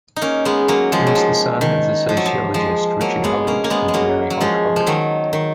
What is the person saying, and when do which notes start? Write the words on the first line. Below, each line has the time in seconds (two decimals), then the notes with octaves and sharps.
He was the son of the sociologist Richard Hoggart and Mary Holt Hoggart.
0.16 D#4
0.22 A#3 C#4
0.45 G#3 B3
0.68 F#3 A#3
0.92 F3 G#3
1.07 F#3
1.15 F3
1.61 D#3
2.09 F3
2.17 F#3
2.26 F3
2.54 F3 G#3
3.01 F#3 A#3
3.24 G#3 B3
3.47 A#3 C#4
3.64 A#3
3.70 G#3 B3
3.88 G#3
3.94 F#3 A#3
4.30 F#3
4.41 F3 G#3
4.76 F3
4.87 D#3 F#3
5.33 D#3